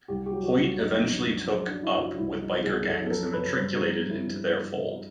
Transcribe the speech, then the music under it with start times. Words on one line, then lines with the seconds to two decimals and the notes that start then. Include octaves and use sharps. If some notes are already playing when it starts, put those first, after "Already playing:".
Hoyt eventually took up with biker gangs and matriculated into their fold.
0.08 C2 G4
0.26 G4
0.31 F#3
0.43 F#4
0.56 C2
0.62 F4
0.78 F#2 D#4
1.02 F3
1.14 D4
1.24 F#2
1.47 F#2 D4
1.66 D4
1.71 F#3
1.83 E4
1.95 F#2 F4
2.18 C2 E4
2.40 F3 D#4
2.63 C2 G#4
2.87 F#2 A4
3.06 A4
3.10 F3 A#4
3.33 F#2 B4
3.57 G2 C5
3.74 A#4
3.81 F3
4.03 G2
4.10 E4